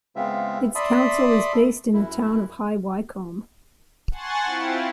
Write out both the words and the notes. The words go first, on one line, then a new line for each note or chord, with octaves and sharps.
Its council is based in the town of High Wycombe.
C#3 G#3 B3 C4 F4 E5
D5 E5 A5 B5 C6 D#6
F#2 E4
F#5 G#5 A5 C6 C#6 A6
C4 E4 F4